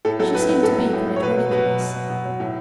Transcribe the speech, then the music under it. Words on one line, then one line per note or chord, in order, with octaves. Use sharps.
She seemed to be quite ready for this.
A2 A4
F#3 A4
A2 B4
F#3 B4
A2 A4
F#3
A2
F#3
C#5
B2 B4
F#3
B2 B4
F#3
B2
F#3
B2
F#3
A2